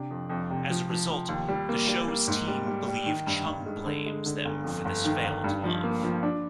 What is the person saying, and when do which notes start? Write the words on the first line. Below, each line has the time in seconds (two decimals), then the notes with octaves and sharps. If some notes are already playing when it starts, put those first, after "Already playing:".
As a result, the show's team believe Chung blames them for this failed love.
Already playing: C3 D4
0.11 F2
0.30 F2
0.50 C3
0.69 F3
0.90 F3
1.10 F3
1.28 D#2
1.49 G3
1.69 A#3
1.88 G3
2.08 A#3
2.28 G#2
2.48 G3
2.67 G3
2.88 G3
3.06 D#3
3.27 G2
3.46 G2
3.66 G#3
3.86 D3
4.06 G#3
4.26 D3
4.45 G1
4.64 F2
4.85 G1
5.05 D#3
5.24 G1
5.44 G2
5.64 F3
5.84 A#3
6.03 F3
6.23 D4